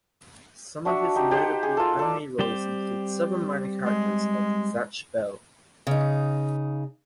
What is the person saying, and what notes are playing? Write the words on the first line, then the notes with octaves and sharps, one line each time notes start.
Some of his notable anime roles include several minor characters of "Zatch Bell!".
D4 F#4 E5
D#4 G4
G4 C5 D#5 F#5
G#4
F4 A4
A4 D5
G3 C4 G4
G#3
C#3 D#4